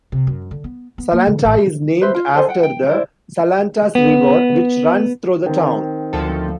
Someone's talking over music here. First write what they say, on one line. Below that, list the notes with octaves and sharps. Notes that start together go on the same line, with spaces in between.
Salantai is named after the Salantas River, which runs through the town.
C3
F#2
D3
B3
B3
A#3
D3
A1
B4 C5 E5
F4
G#4 A4 C5 G#5
F#5 G5
G5
E4 C5 D5
B3
D#3 C4
D2 F3 A4